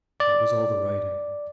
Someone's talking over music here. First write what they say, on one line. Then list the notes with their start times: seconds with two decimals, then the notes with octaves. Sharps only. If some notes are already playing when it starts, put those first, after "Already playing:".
That was all the writing.
0.20 D5